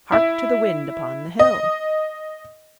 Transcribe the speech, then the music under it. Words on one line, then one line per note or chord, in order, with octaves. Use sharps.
Hark to the wind upon the hill!
E4
D#5